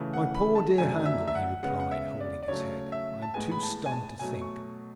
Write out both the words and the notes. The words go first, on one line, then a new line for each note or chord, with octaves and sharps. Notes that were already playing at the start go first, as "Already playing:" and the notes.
"My poor dear Handel," he replied, holding his head, "I am too stunned to think."
Already playing: C#3 E3 A3
F#5
B5
A5
F#2 D3 A3 G#5
E5
E5
F#5
C#3 G#3 B3 F#5
F#5
E5
D5
D5
C#3 F#3 A3 C#5
E5
A5
A2 G#3 B3 G#5
B5
A5
G#5
A5
B2 F#3 A3 G#5
C#6